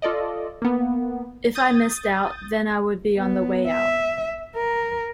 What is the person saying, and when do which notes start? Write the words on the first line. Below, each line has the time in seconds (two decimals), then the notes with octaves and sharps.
If I missed out then I would be on the way out.
0.02 F4 A4 D5 D#5
0.62 A#3 B3
1.55 D#6 G6 A6
3.17 B3
3.68 E5
4.57 A#4